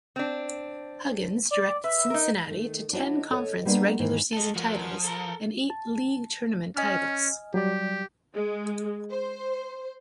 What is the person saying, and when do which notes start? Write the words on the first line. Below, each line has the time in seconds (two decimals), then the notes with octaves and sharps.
Huggins directed Cincinnati to ten conference regular-season titles and eight league tournament titles.
0.16 C4 D4
1.51 D5
1.84 B4 E5
2.10 D#4 A#4
2.47 D#3 A3
2.93 D4 E4 F#4 C#5 D#5 E5
3.31 A4 C#5 D#5
3.65 G3 A#3 B3 D4 B4
3.99 D#2 G#2 D#3 E3
4.33 A4 D#5
4.56 F3 F#4 A#4 F#5
5.04 A4 A#4
5.70 A5
6.77 C#4 D#5 G#5 F6
7.54 F#3 G3 G4 D5
8.35 G#3
9.11 C5